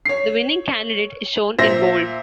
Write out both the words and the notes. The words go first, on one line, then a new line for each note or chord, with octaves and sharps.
The winning candidate is shown in bold.
C#5 C7
A#2 C5 E5 A#6